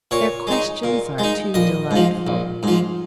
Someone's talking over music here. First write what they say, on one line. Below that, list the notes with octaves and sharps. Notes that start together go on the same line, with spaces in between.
Their questions are too delightful!
A#2 C#5
G#3 D#4
A#2
G#3 D#4
A#1 D#5
G#2 F3
A#1
G#2 F3